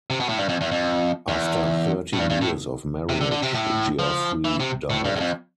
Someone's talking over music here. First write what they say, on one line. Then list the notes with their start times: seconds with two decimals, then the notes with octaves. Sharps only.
After thirteen years of marriage Geoffery died.
0.10 C3
0.20 B2
0.29 A2
0.38 G2
0.49 F2
0.61 E2
0.71 F2
1.28 E2
2.13 A2
2.19 G2
2.30 G2
2.41 A2
3.09 C3
3.21 D3
3.31 D3
3.43 C3
3.55 A2
3.99 F3
4.45 E3
4.60 C3
4.90 A2
5.05 G2
5.16 E2
5.20 F2